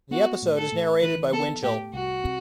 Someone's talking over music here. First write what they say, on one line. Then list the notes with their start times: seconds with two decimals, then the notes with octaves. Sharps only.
The episode is narrated by Winchell.
0.11 B3 F#4
0.42 A2
0.57 A4
0.72 A2
1.02 E3 B4
1.33 B3 A4
1.63 A2 G4
1.93 C2 F#4
2.23 C3